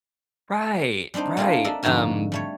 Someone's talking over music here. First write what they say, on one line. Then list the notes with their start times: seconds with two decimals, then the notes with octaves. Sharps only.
Right, right, um,
1.14 G3 C4 D4 D#4 C5
1.37 A3 D4 F4 G#4 A#4
1.64 D4 A4 A#4 D#5 E5
1.83 F2 G#2 D3 D#4 F#4 A#4
2.32 G3 A3 C#5